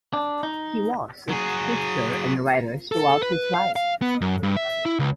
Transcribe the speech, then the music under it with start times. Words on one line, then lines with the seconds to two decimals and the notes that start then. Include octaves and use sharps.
He was a teacher and writer throughout his life.
0.13 D4
0.43 D#4
1.29 F#3 G#4
2.92 A4
3.23 B4
3.54 F5
3.76 F5
4.02 B3
4.21 F#2
4.43 G2
4.57 E5
4.86 E4
4.99 C#2